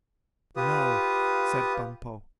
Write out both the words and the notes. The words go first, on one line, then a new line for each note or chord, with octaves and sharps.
"No," said Bumpo.
F4 G4 B4 D#6